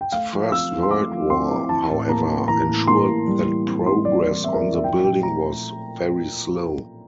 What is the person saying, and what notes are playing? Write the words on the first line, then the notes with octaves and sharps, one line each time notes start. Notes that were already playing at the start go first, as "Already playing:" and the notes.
The First World War, however, ensured that progress on the building was very slow.
G5
A3 F5
F3
C4 E6
E4
C6
A3 D6
F3
C4 C6
E4
E3 A5
A2
A#3 A#5
A2
E3 A#5
A2
A#3 C6
A2
G3
E3
C4
E4 C6
G3 D5
E3
C4 E5
A#4
E4
E5
F3 G5
A#2 G5
A3 A#5